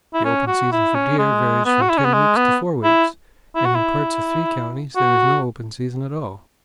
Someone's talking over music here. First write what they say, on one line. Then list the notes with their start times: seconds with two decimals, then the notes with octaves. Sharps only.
The open season for deer varies from ten weeks to four weeks, and in parts of three counties there is no open season at all.
0.14 E4
0.25 C#4
0.48 F#4
0.72 E4
0.95 C#4
1.19 G#3
1.66 B3
1.82 F#4
1.90 E4
1.98 C#4
2.05 B3
2.14 G#3
2.36 B3
2.84 E4
3.56 E4
3.66 F#4
3.76 E4
4.96 F#4